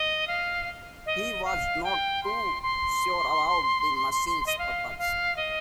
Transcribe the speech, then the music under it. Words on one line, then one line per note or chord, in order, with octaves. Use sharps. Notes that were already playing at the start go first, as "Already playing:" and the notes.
He was not too sure about the machine's purpose.
Already playing: D#5
F5
D#5
F5
G5
C6
C6
D#5
F5
F5
D#5